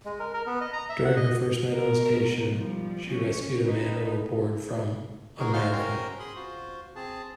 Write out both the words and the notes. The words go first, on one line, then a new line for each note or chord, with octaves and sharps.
During her first night on station, she rescued a man overboard from "America".
G#3
A#4
A#4
B3
D#5
A#5
E5
F#5
D#5
B2 A#4
F3 G3
C#4
D#4 B4
D#4 F#4 G#4 A#4
G#3 F4 F#4 C5 F5 F6
C#4 F#4 A#4 C5 G5 A#5
G#4 B5 C6 D#6
F4 F#4 C5
C4 G#4 A5